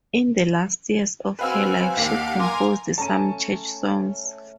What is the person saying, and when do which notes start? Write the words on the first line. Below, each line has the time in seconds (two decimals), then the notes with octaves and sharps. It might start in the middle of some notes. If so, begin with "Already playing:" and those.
In the last years of her life she composed some church songs.
1.39 C4 F#4 B4 F5 G#5 E6
1.97 D#2 A#3 G4 F5 F#5 C7
2.39 A#4 F5 G#5 C6 D6
2.98 A3 C#4 C#5 A5 A#5 D#7